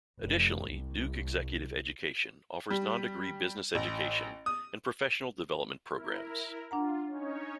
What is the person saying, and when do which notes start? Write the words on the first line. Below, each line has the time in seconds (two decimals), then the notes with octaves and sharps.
Additionally, Duke Executive Education offers non-degree business education and professional development programs.
0.22 F1
0.68 C2
2.70 G3
3.75 A1
4.46 D#6
5.88 E4 A#4
6.71 D4 F4 F#5 A#5
7.07 C#4 D#4 C#5